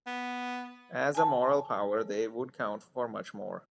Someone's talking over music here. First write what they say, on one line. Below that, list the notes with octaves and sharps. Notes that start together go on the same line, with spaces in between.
As a moral power they would count for much more.
B3
G#5 A5